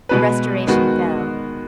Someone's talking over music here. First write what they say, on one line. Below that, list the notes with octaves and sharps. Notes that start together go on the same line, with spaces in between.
The Restoration fell.
B2 G#3 B3 F#4 B4
D#3 G#3 B3 F#4